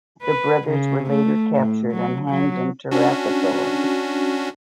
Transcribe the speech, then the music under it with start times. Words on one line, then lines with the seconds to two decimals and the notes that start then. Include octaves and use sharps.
The brothers were later captured and hanged in Tirupathoor.
0.22 B4
0.67 C#3
1.09 A3
1.56 A2
1.91 F#3
2.29 F#3
2.91 C#4 D4 F#4